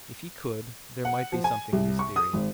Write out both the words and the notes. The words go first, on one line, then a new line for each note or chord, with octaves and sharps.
If he could, there might be something in his theory.
F#5
F3
G#5
C2
C#6
D#6
G#1